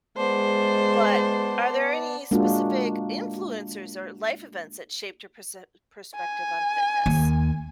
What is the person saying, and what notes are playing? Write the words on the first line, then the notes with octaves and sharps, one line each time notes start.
but are there any specific influencers or life events that shaped your perse perspective on fitness?
G#3 B3 C5 D5 A5
G#3 A#3 D4 F4 F#4
G#5
D#2